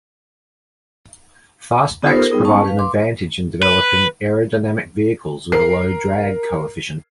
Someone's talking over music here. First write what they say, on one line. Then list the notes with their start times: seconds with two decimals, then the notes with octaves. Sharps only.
Fastbacks provide an advantage in developing aerodynamic vehicles with a low drag coefficient.
2.02 B3 D#4 F4 G4 A4 C5
2.16 A#4
2.30 G3 B3 D#4 G#4
2.45 C#4 A5 C#6
2.65 B4 F5
2.79 C6 D6
3.63 B4
5.52 A#4 C7